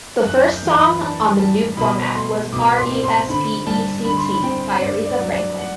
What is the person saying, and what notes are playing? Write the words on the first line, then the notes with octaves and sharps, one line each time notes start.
The first song on the new format was "R-E-S-P-E-C-T" by Aretha Franklin.
F#2 F#6
G6
E3
B5
D4 A5
G3 A5
B2 B5
A3 C6
B2 D6
C6
C4
C6
D3 B5
G3 A5
D3 B5
C6
B5
C4 G5
G2 D5
D5
F#3
D5
F#5